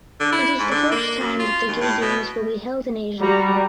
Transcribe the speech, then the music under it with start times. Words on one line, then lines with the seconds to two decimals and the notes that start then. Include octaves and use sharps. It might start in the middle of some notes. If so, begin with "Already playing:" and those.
It is the first time that the Gay Games will be held in Asia.
0.20 D3
0.32 E4
0.59 G#2
0.71 D3
0.91 A#3
1.20 F#2
1.39 F4
1.68 D#2
1.81 A2
2.01 B2
3.22 G3 F#4 A#5